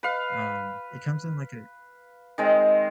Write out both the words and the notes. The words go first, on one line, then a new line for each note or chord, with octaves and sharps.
Um, it comes in like a
B4 F5
D#3 G#3 C4